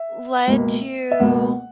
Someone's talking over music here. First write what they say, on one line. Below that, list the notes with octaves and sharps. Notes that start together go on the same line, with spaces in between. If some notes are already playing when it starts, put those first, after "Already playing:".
led to
Already playing: E5
C#2 B2 A#3
E5
C#2 B2 A#3 F#5